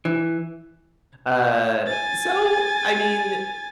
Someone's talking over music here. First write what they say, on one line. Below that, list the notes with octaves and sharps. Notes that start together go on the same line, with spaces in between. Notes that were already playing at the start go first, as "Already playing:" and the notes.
Uh. So, I mean, eh,
E3
G#5 A6